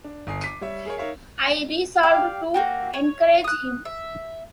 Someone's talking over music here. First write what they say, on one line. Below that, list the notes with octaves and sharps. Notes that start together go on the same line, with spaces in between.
I resolved to encourage him.
D4
G1 G#5 D#6 C7
D6 B6 D#7
G3 C#5 E5
G#4 A#4 C#5
D#4 A#4 C#5 E5 F5
G4 D5 F5
A#3 F#4 G4
C#5
D#6 F#6
E5